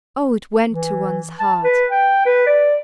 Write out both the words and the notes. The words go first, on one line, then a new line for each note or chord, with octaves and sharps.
O! it went to one's heart!
E3
A5
B4
G5
B4
D5